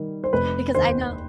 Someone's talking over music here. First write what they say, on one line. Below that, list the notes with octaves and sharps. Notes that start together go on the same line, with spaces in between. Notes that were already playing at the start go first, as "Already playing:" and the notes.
because I know
Already playing: D#3 G3
C5
F1 B4
D#2 C5